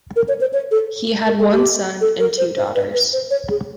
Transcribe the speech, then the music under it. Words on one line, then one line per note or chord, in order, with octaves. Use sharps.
He had one son and two daughters.
A#4
C#5
C5
C#5
A4
A#4
A4
G4
A4
A#4
C5
C5
B4
B4
C5
C#5
G#4